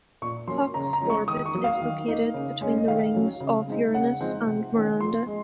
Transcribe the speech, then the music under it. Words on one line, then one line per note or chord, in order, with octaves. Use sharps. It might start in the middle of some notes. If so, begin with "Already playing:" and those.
Puck's orbit is located between the rings of Uranus and Miranda.
A#2 C#6
F#3 A#3 C#4 C6
C#3 A#5
A#5
F3 G#3 C#4
C#6
D#3 D#6
C#6
F#3 A#3
F5
D#3
A#3 D#4
C#3
G#3 C#4
D#5
D#3 F5
F#3 C#4
C#3
G#3 C4 D#4
C#3 F#5
F3 G#3 C4 D#4
C3
D#3 A#3 C#4
F3 C6
G#3